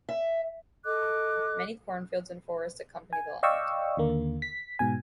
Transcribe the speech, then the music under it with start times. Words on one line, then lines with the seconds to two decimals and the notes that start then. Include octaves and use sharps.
Many cornfields and forests accompany the land.
0.09 E5
0.84 A4 D#5 D6 F#6
3.13 G#5
3.43 D5 D#5 F5 G5 C#6 E6
3.97 D#2 D3 A#3
4.42 B6
4.79 G#2 B2 G#5